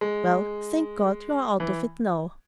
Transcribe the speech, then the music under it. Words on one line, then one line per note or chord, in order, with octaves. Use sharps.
"Well, thank God you're out of it now!"
G#3
E3